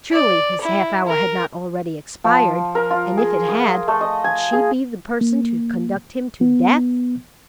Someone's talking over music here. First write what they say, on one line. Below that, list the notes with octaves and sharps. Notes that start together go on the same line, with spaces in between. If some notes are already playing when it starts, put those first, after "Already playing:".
Surely, his half-hour had not already expired; and if it had, would she be the person to conduct him to death?
D5
E4
A#4
F3
A#4
F4
G#4
D#6
A3
D#5
G#5
G#4
A#3
B3